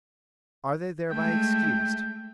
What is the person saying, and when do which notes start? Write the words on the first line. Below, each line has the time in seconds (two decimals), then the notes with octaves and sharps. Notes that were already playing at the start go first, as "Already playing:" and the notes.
Are they thereby excused?
1.11 G#3 A3 G5